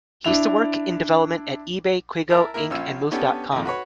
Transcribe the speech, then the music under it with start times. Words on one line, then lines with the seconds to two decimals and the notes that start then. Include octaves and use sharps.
He used to work in development at eBay, Quigo, Inc and Move dot com.
0.24 D4 E4 F7
2.30 E4 A#4 A5
2.54 A#3 E4 A#4
2.70 A#1 C#4 F4 E6
3.12 B3 C#4 D4 G4 A4
3.52 G#1 F2
3.65 F#4 B4 C#5